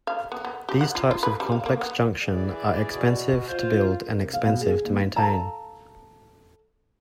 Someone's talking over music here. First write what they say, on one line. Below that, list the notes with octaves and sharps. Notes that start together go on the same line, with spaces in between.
These types of complex junction are expensive to build and expensive to maintain.
F5
B3
B3
G4
F#5
F4
F4
B4
G3
F5
A#3
B3
E3 G#4 D5
B2
F4 C5
A#4
C3
F5
B2
G#4
D#2
A4 F5 A5 A#5